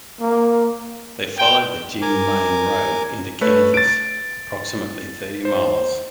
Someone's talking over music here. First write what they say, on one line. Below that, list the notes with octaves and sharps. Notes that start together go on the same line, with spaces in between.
They followed the "Jim Lane Road" into Kansas approximately thirty miles.
A#3
G5
A#4 G#5 D6
A3 B4 C#5
A6 D7
C5